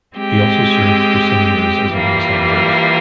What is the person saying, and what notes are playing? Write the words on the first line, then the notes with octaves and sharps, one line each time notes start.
He also served for some years as a ringside judge.
G#3 C4 G4
E3 G3 A#3 F4